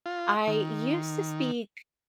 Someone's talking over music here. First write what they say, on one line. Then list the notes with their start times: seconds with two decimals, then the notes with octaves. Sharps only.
I used to speak
0.06 F4
0.47 D#3